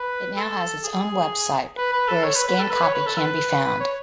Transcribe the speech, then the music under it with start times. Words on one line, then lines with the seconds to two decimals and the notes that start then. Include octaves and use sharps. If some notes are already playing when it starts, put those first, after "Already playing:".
It now has its own website, where a scanned copy can be found.
Already playing: B4
0.36 A4
0.84 G#4
1.77 B4
1.92 B4
2.08 A4
2.24 C#5
2.35 B4
2.47 B4
2.59 A4
2.70 B4
2.83 C#5
2.94 B4
3.06 A4
3.17 B4
3.64 B4
3.80 C#5